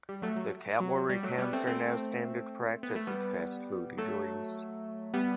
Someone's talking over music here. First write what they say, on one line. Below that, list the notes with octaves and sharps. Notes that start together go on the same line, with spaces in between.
The calorie counts are now standard practice at fast food eateries.
G3
F#3 A3
F#3
F#3
G3
F#3 A3
G3 B3
A3 C4
A3 C4
B3
A3
G3 B3
F#3 A3
G3 B3